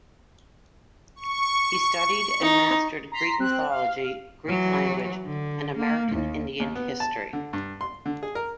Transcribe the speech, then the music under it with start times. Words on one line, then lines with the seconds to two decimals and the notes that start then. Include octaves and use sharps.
He studied and mastered Greek mythology, Greek language, and American Indian history.
1.16 C#6
2.42 D#4
3.12 A#5 C6 B6 C7
3.39 C4 F#6
3.70 F5
4.46 E3 F#3
5.26 D3
5.77 A#3
6.12 D#2
6.60 D#2
6.75 B3
7.00 A5
7.33 D3
7.53 G2
7.81 C6
8.06 D3
8.23 G#4
8.35 A#4